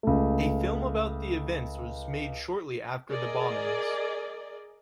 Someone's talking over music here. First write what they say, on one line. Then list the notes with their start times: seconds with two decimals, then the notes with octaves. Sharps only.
A film about the events was made shortly after the bombings.
0.03 C#2 A3
3.11 G#4 A#4 D5 D#5